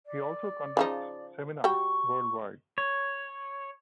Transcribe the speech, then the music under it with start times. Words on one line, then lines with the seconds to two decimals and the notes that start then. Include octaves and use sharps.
He also conducts seminars worldwide.
0.06 D5
0.77 C#3 F3 D#4
1.64 G3 F#4 G5 C#6
2.78 C#5